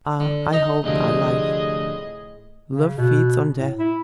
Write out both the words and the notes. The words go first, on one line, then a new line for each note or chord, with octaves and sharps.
I hold thy life! Love feeds on death.
D3
D#4 D#5 A#5
D2 A2 C3 F3 G#4 D#5
C#3
B2
A2
E4